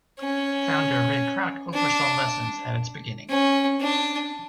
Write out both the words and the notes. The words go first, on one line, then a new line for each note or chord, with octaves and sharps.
Founder Ray Kroc oversaw lessons at its beginning.
C#4
D4
C#4
D4